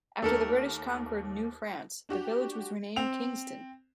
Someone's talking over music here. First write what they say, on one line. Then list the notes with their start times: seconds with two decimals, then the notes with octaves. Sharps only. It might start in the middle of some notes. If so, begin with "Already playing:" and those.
After the British conquered New France, the village was renamed Kingston.
0.22 D#2 A3 A4 A#4
2.09 D4 F#4 G4
2.96 C4 F7